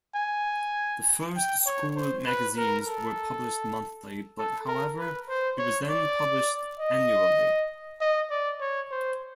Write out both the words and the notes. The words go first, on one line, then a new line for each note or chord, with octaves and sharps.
The first school magazines were published monthly but however, it was then published annually.
G#5
G5
C#5
C5
B4
A#4
A4
A4
A#4
B4
C5
C#5
D5
D#5
D#5
D5
C#5
C5